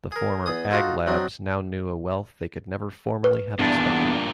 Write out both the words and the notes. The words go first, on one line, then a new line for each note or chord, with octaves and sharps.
The former "Ag Labs" now knew a wealth they could never formerly have expected.
G#4 A#4
E2 G#4 D#6
D#4 F4 F#4 A4
F#3 C4 D4 D#4
B4
E2 G2 A#2 D4